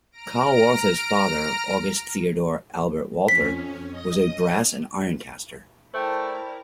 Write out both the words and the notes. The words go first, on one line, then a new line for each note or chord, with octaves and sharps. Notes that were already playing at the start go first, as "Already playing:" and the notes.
Carl Walther's father, August Theodor Albert Walther, was a brass and iron caster.
A#5 F6 A#6 D7
F2 C#4 B6
D#5 D#6
A3 E4 A#4 C5 D5 G5 A5